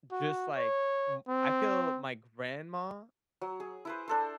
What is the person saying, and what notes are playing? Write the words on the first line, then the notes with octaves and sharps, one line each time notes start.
just like m I feel my grandma
F#4
C#5
C4
F#3
G#4
E4 B4 C5
D4 A4 C5